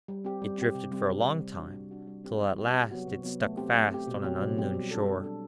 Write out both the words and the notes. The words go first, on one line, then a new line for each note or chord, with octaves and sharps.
It drifted for a long time, till at last it stuck fast on an unknown shore.
G3
C4 G4
G3
C4 G4
C3
G3 C4
C3
G3 C4
G3
D4 F#4
G3
D4 F#4
G3
C4 G4
G3
C4 G4
C3
F#3 B3 F#4
C3
F#3 B3 F#4
A3
C4 G4
A3
C4 G4
B2
F#3 C4 G4
B2
F#3 C4 G4
G3
D4 A4
G3
D4 A4